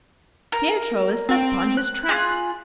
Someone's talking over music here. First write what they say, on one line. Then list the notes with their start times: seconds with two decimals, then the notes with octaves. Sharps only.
Pietro is set upon his track.
0.52 A#4
1.29 C4
1.77 F#6
2.09 F4 G#4